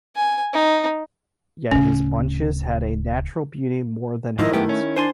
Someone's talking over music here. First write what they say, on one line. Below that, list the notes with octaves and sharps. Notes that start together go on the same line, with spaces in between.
Yet his bunches had a natural beauty more than hers.
G#5
D#4
D1 C#3 C#4
G#2 D#3 F3 E4 A#4 D#5
F#2 A3 B3 G4
C#4
D4 C5 G#5 C6